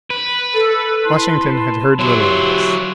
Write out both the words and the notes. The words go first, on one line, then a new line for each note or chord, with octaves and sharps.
Washington had heard little of this.
B4
A4
E4 A5 C6
F#3 E4 G4 C6